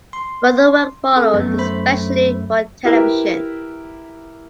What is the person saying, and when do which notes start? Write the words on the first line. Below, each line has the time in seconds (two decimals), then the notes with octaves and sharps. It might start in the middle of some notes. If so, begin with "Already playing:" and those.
Further work followed, especially for television.
0.13 C6
1.13 C4 A4
1.34 F#2 A3 B3
1.58 C5 B5
2.85 E4 G4 A#4 B4